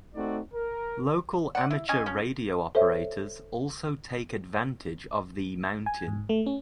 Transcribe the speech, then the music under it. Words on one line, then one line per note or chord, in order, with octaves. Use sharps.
Local amateur radio operators also take advantage of the mountain.
A3 C4 D#4 F#4 D5
A#4
D5 F#5
E4
C#4 D#5 G#5
F3 C#4
A4 C5 C#5 E5
G#5
G#2
A3
C#4